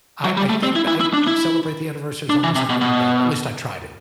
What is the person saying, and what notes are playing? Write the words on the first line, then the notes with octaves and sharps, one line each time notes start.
I I think that I celebrate the anniversaries almost like every day, or at least I try to.
F#3
G3
A3
C4
E4
E4
E4
D4
E4
D4
E3
C3
B2
B2